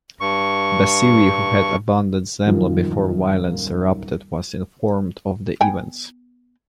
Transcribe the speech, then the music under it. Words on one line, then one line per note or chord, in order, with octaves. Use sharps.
Bassiri, who had abandoned Zemla before violence erupted, was informed of the events.
G2 C#6
D#1 F#2 D#3 F3 D#4 F4
B3 G5 G#5